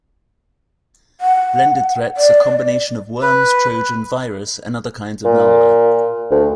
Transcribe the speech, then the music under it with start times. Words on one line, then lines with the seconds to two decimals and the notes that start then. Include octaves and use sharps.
Blended Threats are combination of worms, trojan, virus, and other kinds of malware.
1.21 F#5
2.17 D5
3.22 B4
5.25 A#2
6.31 D2